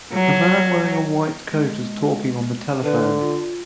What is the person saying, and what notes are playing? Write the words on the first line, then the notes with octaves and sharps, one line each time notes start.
A man wearing a white coat is talking on the telephone.
F#3
G#3
D3 B4
F4